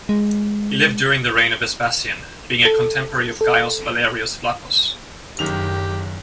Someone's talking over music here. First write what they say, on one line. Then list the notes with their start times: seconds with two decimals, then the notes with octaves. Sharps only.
He lived during the reign of Vespasian, being a contemporary of Gaius Valerius Flaccus.
0.09 G#3
2.65 A4
3.41 A4
5.39 F#1 F#2 D#3 G4 F7